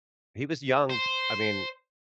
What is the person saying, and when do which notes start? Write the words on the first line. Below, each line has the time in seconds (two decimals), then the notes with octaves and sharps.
He was young, I mea
0.90 C5